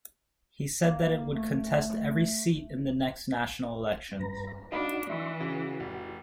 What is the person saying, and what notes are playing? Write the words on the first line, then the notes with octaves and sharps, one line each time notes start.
He said that it would contest every seat in the next national elections.
A#3
A3
G2 B4 A#5
D4 D#4 F#4 D#5 F5 B5
E3 E5 C6 C#6
C#3 F#4
F1